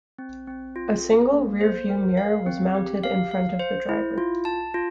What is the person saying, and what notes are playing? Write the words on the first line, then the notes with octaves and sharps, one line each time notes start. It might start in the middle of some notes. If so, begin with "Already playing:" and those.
A single rear view mirror was mounted in front of the driver.
C4
C4
F4
A4
A#3
C5
A#4
F5
C4
G4
F5
F5
C5
E4
F4
A5
F4